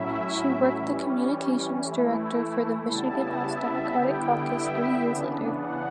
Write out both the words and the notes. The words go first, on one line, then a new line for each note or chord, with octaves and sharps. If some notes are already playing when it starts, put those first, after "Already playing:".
She worked the Communications director for the Michigan House Democratic Caucus three years later.
Already playing: A2 F#3 C#4 E4 E5
E3 G3 C#4
E3 A3 E4
C#3 G3 B3 E4 A5
E5
D3 G3 B3 E4 G5
E5
C#3 E3 B3 D4
F#5